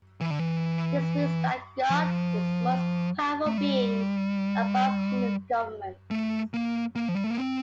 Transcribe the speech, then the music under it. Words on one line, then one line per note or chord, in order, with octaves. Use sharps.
This means that God is the most powerful being, above human governments.
E3
D3
E3
F3
A3
G3
A3
A#3
A#3
F3
G3
A3
A#3
C4